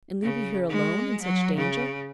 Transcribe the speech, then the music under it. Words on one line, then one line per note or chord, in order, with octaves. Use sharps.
"And leave you here alone--in such danger?"
C#3
G#3
F#3
C#3